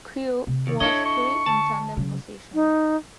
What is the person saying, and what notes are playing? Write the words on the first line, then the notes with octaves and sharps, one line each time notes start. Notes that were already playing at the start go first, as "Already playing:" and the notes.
Crew was three in tandem position.
C3
D#2
D4 E4 A4 C#5 D#5
C#6
D2 A5
C#3 F#3
D#4